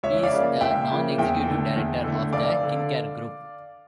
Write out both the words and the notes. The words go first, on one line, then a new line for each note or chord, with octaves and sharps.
He is a Non-Executive Director of the Kincare Group.
C#2 C#5 E5
D5 F5
C#3 F3 A#3
C#2 E5 G5
C#3 F3 A#3
E2 E5 G5
D3 A3
E2
D3 A3
F1 D5 F5
D3